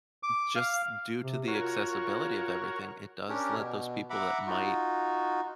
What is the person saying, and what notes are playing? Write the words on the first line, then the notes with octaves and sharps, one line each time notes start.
just due to the accessibility of everything, it does let those people that might,
D6
F5
C3
F4 F#4 A#4 C#5
C#4 D4 G4 A#4 C#5
B2
E5 F#5 A#5 B5 D6
D#4 F4 F#4